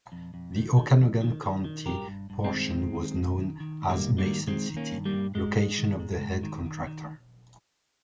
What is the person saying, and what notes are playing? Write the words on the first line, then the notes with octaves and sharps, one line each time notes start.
The Okanogan County portion was known as Mason City, location of the head contractor.
F2
F2
D#3
D#3
F2
D#3
D#3
D#3
G2 G4 A#4
G2
G2
G#3 C4
D#3
G#2
D#3
G#2
D#3
D#3
G#2
G3 A#3
G#2
G3 A#3
D#3
D#3 G#3 C4
D#3
A#3 C#4
G2
G3 A#3
G2
G#2 G#3
G#2
D#3
G#2
G#2
D#3
D#3
D#3